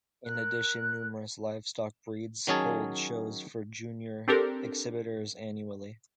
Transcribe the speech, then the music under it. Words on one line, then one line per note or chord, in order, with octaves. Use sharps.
In addition numerous livestock breeds hold shows for junior exhibitors annually.
A#4 F#6
D#3 F#3 C#4 G#4 A5
C4 D4 G4 A4 A#4